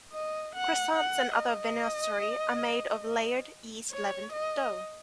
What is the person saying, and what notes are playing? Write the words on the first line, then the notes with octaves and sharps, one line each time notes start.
Croissants and other viennoiserie are made of a layered yeast-leavened dough.
D#5
F#5
F#5
D#5
C#5
D#5